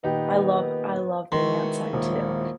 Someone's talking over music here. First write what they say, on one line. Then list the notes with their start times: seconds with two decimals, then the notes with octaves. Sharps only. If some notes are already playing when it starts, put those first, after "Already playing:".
I love I love being outside too. You
0.04 A#2 D#3 B3 D#4 G4 B4
1.32 B2 D#3 G#3 E4 C6 C#6
1.93 D#1 F3